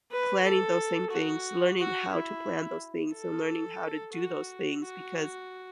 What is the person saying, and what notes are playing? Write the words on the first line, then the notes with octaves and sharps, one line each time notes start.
planning those same things, learning how to plan those things, and learning how to do those things, because
B4
A4
F#4
F#4
E4
A4
F#4
F#4